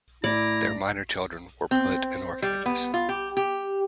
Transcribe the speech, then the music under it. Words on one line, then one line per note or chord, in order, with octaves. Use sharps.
Their minor children were put in orphanages.
A2 E4 D5 A#5
C4
G3
B3
F4
G4
G4